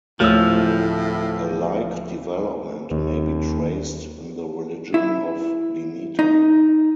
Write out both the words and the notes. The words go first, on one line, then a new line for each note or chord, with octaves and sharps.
A like development may be traced in the religion of Demeter.
D1 A2 F3 A3 C#5 E6 F6
D#2
E4
D#4